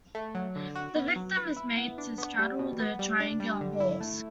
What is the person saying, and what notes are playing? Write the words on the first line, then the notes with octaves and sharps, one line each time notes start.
The victim is made to straddle the triangular horse.
A3
F#3
D3
F#4
B3
F#3
B4
E4
B3
D4
B3
G3
B2
B3
G3
D4
G3
D3
E4
A3